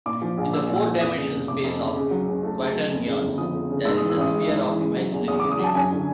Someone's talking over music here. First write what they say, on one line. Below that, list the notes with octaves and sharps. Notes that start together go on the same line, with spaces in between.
In the four-dimensional space of quaternions, there is a sphere of imaginary units.
A#2 D6
F3
A#1
A#3 E6
A#2
E6
F3
F2 D#6
C#3
F1
F1 D6
F2
C#3
C#3
F#3
C#2
A3
C#3
F#3
F2
C#3
G1
F3 D#6
F2
C#3
G#2 E6
D#6
E3
E6
A1 D#6
G#3
G#2
E3
C#3
F#3
E2
E2 D#6
D6
C#3
D#6
F#3 A5
F#2 G#5
D3